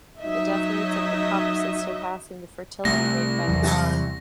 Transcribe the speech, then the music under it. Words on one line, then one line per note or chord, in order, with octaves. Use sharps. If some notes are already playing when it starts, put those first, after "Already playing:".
The death rates of the pups is surpassing the fertility rate by far.
F#3 D#4 D#5 E5
C2 A3 A#6
E2 E3 F#3